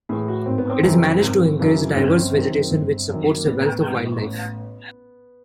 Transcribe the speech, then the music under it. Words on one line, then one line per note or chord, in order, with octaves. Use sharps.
It is managed to encourage diverse vegetation which supports a wealth of wildlife.
A2 E3 G#4
F#4
G#1 C4
B3
C4
F#2 C#3 E3
G#1
F#2 C#3 E3
G1 C4
C#4
C4
F#2 D#3
G1
F#2 D#3
A#3
A1 B3
G#2 E3
A1